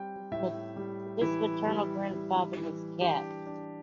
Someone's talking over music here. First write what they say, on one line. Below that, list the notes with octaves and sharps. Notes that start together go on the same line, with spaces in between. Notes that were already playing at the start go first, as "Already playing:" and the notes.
His maternal grandfather was Capt.
Already playing: G3 C4 G5
A2 E5
G3
E3 E4
G3
G3
E3
D4 G4
D4